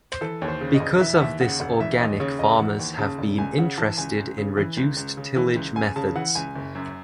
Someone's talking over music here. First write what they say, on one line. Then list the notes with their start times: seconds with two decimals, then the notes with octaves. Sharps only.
Because of this organic farmers have been interested in reduced-tillage methods.
0.12 C5
0.21 E3 A4
0.42 D#2 C#5
0.48 C5
0.61 C#3
0.74 D#5
0.80 E1
1.01 E3 E5
1.15 F#5
1.20 D#2 E5
1.40 C#3 F#5
1.60 E1 F#5
1.80 E3 E5
2.00 D#2 D#5
2.20 C#3 C#5
2.39 E1 D#5
2.59 E3 F#5
2.79 D#2
2.98 C#3 A5
3.19 E1
3.38 C#2 G#5
3.58 C#3 F#5
3.78 E3 A5
3.97 C#2 G#5
4.17 C#2
4.38 C#3
4.57 E3
4.77 C#2
4.97 C#2
5.17 C#3
5.36 E3
5.56 C#2
5.76 C#2 G#5
5.96 C#3 A5
6.15 E3 F#5
6.35 C#2 G#5
6.56 F#1
6.75 F#2